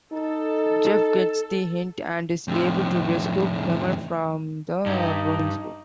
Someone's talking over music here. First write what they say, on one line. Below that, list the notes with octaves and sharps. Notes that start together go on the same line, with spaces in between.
Jeff gets the hint and is able to rescue Kemal from the burning school.
D#4 A4
F2 A2
G2 D#4